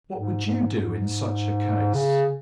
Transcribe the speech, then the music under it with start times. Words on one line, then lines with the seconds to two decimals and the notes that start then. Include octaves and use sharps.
What would you do in such a case?
0.17 G#2
0.45 G#2
1.94 C#3